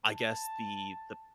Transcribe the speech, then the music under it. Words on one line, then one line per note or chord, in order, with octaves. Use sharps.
I guess, the the
A5